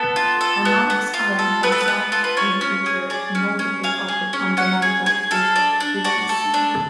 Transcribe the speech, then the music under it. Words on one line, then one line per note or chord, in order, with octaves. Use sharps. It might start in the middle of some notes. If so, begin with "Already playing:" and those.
Harmonics are an exact integer multiple of the fundamental frequency.
Already playing: B3 A4
F4
A4
B3
B3
F4
A4
B3 B4
A4
B4
B3
F4 A4
B4
C#4 C#5
C#4
G#4
G#4 D5
C#4
C#4
G#4 F5
G#4
C#4
C#4 F#5
G#4
G#4
A4 F5
D4
D4
F#4 D5
A4
D4